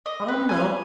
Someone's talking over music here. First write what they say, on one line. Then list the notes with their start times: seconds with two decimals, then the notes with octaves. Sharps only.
Um, no,
0.06 D#5
0.28 B4
0.49 G#5